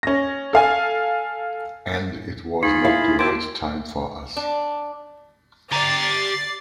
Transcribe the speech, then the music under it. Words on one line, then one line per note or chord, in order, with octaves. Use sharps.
And it was not the right time... for us.
C#4 A#6
A4 F5 G#5
D#4 F4 G#4 B5
E4 F5
F#4 A#4 G5 A5 C6 D6
D4
G4 D5 A#5 A6 C7